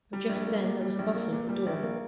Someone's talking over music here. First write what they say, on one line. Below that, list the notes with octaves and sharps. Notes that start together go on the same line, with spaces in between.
But just then there was a bustle at the door.
G3
A#1
A#3
A#2
G3
A#1
A#3
A#2
G3
A#1
A#3